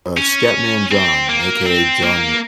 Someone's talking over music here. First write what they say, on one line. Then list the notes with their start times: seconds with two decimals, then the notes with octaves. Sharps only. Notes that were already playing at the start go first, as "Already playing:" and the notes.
Uh, Scatman John, AKA John Lar
0.17 C#4
0.92 C4
1.29 A#3
1.66 C4
2.03 A#3